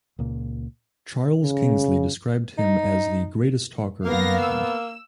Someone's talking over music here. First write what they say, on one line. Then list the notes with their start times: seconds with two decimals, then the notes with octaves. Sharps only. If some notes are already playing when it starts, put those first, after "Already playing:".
Charles Kingsley described him as "the greatest talker in England".
0.19 C#2 A#2
1.43 C#3
2.58 D#4
4.05 A#3 B3 F5 A#6
4.40 E6